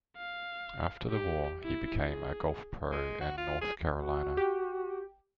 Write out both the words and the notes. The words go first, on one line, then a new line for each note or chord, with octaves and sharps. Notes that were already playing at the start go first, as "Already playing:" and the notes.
After the war, he became a golf pro in North Carolina.
F5
G4
E4
G#4
G#3
F#4
F4
G#4
F#4
G4